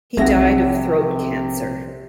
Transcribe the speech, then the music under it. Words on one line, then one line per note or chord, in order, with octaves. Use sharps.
He died of throat cancer.
B1 C3 F3 C4 G#4 E5 F#5 A#6